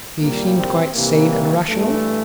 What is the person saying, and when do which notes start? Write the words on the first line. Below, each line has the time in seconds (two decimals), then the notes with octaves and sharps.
"He seemed quite sane and rational?"
0.21 C2 A#2 G3 A#3
0.58 C4
0.95 C2 C3 E3 G3 A#3
1.69 G2 E3 G3 A3